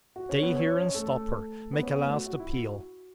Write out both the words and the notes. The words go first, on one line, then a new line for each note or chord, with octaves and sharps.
'Stay here and stop her!--make a last appeal!
F#4
C#4 C#5
B3 B4
C#4 C#5
C#4 C#5
C#4 C#5
A3 A4
B3 B4
C#4 C#5
B3 B4
A3 A4
F#4
F#4
E4
F#4